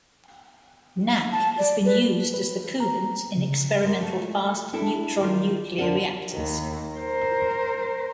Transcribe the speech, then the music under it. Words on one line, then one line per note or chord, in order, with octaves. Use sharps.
NaK has been used as the coolant in experimental fast neutron nuclear reactors.
A5
D5
B4
B4
A#5
C#3
G3 G#3 A#3
A3
D4 E4 A4 A5
D#3 F4
F2 D3 D4 A#4 D5 F#5
D#2 D#3
A#4 C5